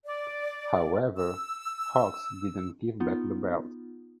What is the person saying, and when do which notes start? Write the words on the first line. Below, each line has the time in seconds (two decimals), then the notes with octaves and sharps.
However, Hawx didn't give back the belt.
0.06 D5
1.16 E6
3.00 B3 D#4 F4